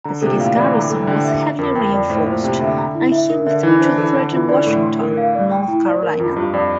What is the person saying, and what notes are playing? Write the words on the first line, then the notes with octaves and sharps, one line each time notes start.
The city's garrison was heavily reinforced, and Hill withdrew to threaten Washington, North Carolina.
D3 A#5
C3 A4
A#2
A2 F5
E3 D5
D3 A#5
A4
D3 G5
E5
A#5
F2 A#4
F2 G5
F2 D5
A2 C5
A#2 C5
C3 G5
D3 E5
A#5
E4
E5
A#4
D3 E5
E3 E4
D4 C5
E3 A4
D3 A5
E3 F4
D3 D5
A2 A4
C6
A#4
F5
D5
G5
E4
D5
A#4
F2 F4
G2 F4
F2 D5